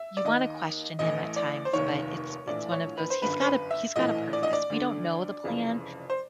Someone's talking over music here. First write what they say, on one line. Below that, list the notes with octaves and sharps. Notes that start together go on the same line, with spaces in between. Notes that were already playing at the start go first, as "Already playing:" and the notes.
you wanna question him at times, but it's it's one of those he's got a he's got a purpose. We don't know the plan,
Already playing: E5
D5
D#2 D#3 D#5
A1 A2 E3 D#5
D5
C5
F1 D#2 D#3 C#5
A#1 A2 E3 D5
C#5
B4
C5
G1 F#2 D3 B4
C5
B4
E5
A#1 A2 E3 D#5
D5
D#5
D5
D2 D3
F1 F2 C#3 E3
C5